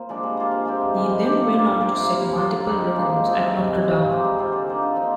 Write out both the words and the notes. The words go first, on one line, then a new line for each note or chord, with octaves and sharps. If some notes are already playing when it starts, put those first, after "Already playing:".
He then went on to set multiple records at Notre Dame.
Already playing: A#3 C4 F4
F3 G#3 D4
G3
A#3 F4
F3
G#3 C4 G4
C3
D#3 G#3
G3
D4 G4
F3
A#3 F4
A#2
F3 A#3
C3
G3 A#3
F3
A#3 F4
D3
G3 C4 D#4
A#2
F3 G#3 D4
F3
C4 D#4
C3
D#3 G3
D#3
G3 C4 F4
F3
G#3 D#4 G4
G3
C4 F4
D3
F3 A#3 D#4
D3
F3 C4 D#4